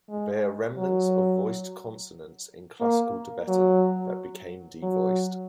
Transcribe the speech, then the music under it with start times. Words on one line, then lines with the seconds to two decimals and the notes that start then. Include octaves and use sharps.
They are remnants of voiced consonants in Classical Tibetan that became devoiced.
0.10 G#3
0.78 F#3
2.80 A#3
3.48 F#3
4.83 F#3